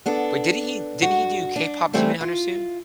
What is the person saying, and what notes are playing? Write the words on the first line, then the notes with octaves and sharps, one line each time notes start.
But didn't he didn't he do KPop Demon Hunters too?
B3 D4 A4
G2 F#4
D4
E3 G3 A3 C4 D4
F4